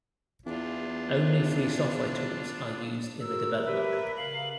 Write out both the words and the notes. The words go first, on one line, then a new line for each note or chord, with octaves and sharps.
Only free software tools are used in the development.
E2 D4 F4
F#4 A#4 E6
G4 B4 E5
C#3 F5 F#7